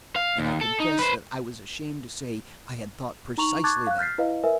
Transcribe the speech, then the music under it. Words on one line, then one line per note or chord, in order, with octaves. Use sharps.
And I confess that I was ashamed to say I had thought precisely that.
F5
D#2
A4
D#4
B4 C5
D#4 A#5 C#6 F7 F#7
A5 C#6 D6 F#6 G#6 A6
F5 F#6
F6 G6 A6 B6 C7
E4 B4 D#5 F5
A#4 B4 E5 G#5